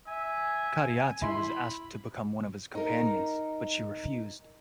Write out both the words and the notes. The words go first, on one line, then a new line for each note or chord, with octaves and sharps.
Kadiatu was asked to become one of his companions, but she refused.
E5 G#5
E4 B5 C6
D#4 A#4